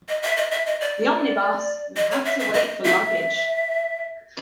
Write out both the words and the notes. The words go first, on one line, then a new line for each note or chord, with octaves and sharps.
The omnibus would have to wait for luggage.
D#5
E5
D#5
E5
D#5
D5
D#5
C#5
E5
E5
D#5
E5